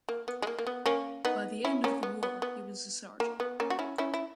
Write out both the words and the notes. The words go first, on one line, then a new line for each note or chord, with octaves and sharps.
By the end of the war, he was a Sergeant.
A#3
B3
G#3
A#3
A#3
B3
A#3 C#4
B3 D#4
C#4 E4
A#3 C#4
B3
B3
B3
A#3
B3
A#3 C#4
F#4
C#4 E4
C#4 E4
E4